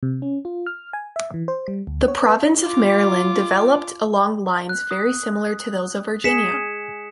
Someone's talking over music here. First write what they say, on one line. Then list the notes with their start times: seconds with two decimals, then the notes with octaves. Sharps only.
The Province of Maryland developed along lines very similar to those of Virginia.
0.03 C3
0.22 C#4
0.45 F4
0.66 F6
0.93 G#5
1.16 E5
1.34 E3
1.48 C5
1.68 G3
1.87 D2
2.08 C#5
2.22 B4
2.63 F4 D6
4.69 F#6
4.91 D#6
6.24 G#4 B6 C#7 E7